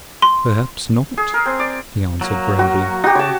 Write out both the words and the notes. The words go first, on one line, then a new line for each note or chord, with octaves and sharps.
"Perhaps not," he answered gravely.
C6
G#4
A#4
C4
D5
F#3 A#3
F#4 G5
D#4 F#4 G4
C#3 C#5 A5